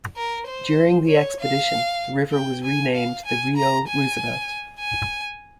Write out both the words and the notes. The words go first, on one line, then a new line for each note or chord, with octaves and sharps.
During the expedition, the river was renamed the Rio Roosevelt.
A#4
C5
C#5
F5
G5
G#5
F5
G#5
A#5
G#5
G#5